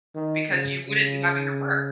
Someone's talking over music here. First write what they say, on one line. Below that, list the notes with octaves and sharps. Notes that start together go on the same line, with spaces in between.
because you wouldn't be having to work.
D#3
C#3
C#3